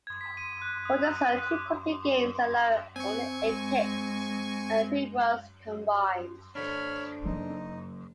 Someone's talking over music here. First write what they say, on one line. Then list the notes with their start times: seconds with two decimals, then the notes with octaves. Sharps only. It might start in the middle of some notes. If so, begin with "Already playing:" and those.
Walters hurled two complete games, allowing only eight hits and three runs combined.
0.07 G#6
0.21 B6
0.37 D#7
0.62 F#6
0.85 D#6
1.04 E6
1.17 D#7
1.38 F#6
1.51 D6
2.96 C4 G#5 C#6
3.42 G#3
6.55 D4 A4 C5 C#5 B5 F6
7.25 F#1 D#4